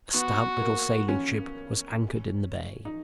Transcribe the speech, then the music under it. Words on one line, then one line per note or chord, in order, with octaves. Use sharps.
A stout little sailing-ship was anchored in the bay.
B3 F#4
A#3
C#4
D#4